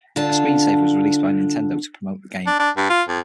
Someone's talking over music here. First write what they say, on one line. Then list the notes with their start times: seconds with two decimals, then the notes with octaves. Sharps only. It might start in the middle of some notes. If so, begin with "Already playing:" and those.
A screensaver was released by Nintendo to promote the game.
0.16 D3 D4 F4 A5
2.47 D4
2.59 D4
2.77 G2
2.90 F4
3.08 F2